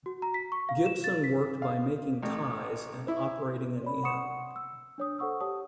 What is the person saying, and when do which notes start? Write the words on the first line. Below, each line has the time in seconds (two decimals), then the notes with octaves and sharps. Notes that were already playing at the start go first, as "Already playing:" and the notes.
Gibson worked by making ties and operating an inn.
0.06 F#4
0.22 A#5
0.34 B6
0.52 C#6
0.69 F5
0.86 E7
1.04 A6
1.24 B6
1.62 F5
2.23 A1
3.08 E4
3.83 C#5 D5 B5
4.03 F#5 C6 C#6 D#6 C#7 E7
4.56 E6
4.98 D4 C#5 D#6
5.19 A4 C5 F#5 C#6 D#6 E6
5.41 G4 C#5 A5 D#6